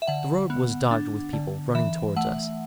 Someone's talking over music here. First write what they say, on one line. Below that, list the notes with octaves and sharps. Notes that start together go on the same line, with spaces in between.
The road was dotted with people running towards us.
E5
D3 F#5
B3
D4
D3
E3 E5
A3 F#5